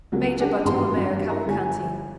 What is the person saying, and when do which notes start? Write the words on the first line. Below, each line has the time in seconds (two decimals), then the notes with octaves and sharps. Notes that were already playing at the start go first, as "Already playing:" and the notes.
Major Bartolomeo Cavalcanti.
0.12 C#2 F#3 G3 A#3
0.40 C#4 D4 G4 G#4 D5 F#5
0.65 G#1 G2 E3 G4 A#5 C6
0.96 G2 F#3
1.28 E4 A#4 A#5 C#6
1.46 G1 G3 G#5